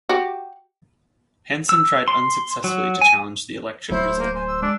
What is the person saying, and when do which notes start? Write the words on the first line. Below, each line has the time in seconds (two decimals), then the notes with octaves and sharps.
Hansen tried unsuccessfully to challenge the election result.
0.09 F#4 G4
1.69 E6
2.08 C6
2.64 F#3
3.01 G#5
3.91 D1 F#3 A3 E4 C5
4.19 A#3
4.35 C5 G#5
4.48 E6
4.62 G#3 D4